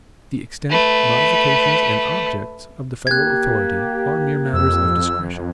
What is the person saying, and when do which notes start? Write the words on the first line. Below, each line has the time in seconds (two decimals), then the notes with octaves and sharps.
The extent, modifications, and objects of the federal authority are mere matters of discretion.
0.70 A3 B4
3.07 A#3 G4 F#6 G#6
4.53 F2 E6